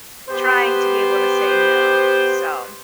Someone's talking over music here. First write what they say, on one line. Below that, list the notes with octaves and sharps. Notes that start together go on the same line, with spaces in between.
trying to be able to say no, so
B3 G4 B4 C5